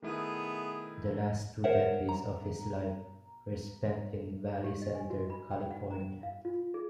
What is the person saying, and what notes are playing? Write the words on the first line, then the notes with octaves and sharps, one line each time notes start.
The last two decades of his life were spent in Valley Center, California.
D#3 A3 B3 E4 G#4
A#4 C5 C#5 E5 F#5
A#5
G4
D#5
G#5
F#4
B5
G5
F#5
A#5
F5
F4
G#4